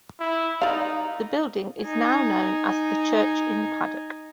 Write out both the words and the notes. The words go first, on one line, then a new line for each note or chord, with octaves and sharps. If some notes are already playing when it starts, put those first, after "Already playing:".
The building is now known as "The Church in the Paddock".
E4
D#4 D5 F5
D#4 G#5